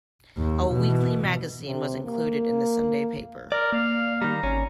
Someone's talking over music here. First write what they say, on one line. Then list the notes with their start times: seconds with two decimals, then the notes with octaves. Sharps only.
A weekly magazine was included in the Sunday paper.
0.37 D#2
0.72 B2 E3
1.67 C3
2.04 A#3
3.52 A#4 D5
3.72 A#3 F5
4.22 D#3 G3 A#5
4.43 G#1 C#4